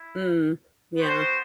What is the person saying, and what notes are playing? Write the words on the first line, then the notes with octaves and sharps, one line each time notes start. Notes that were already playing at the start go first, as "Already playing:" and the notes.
Mm. Yeah.
Already playing: E4
B3 F#4 C5 G5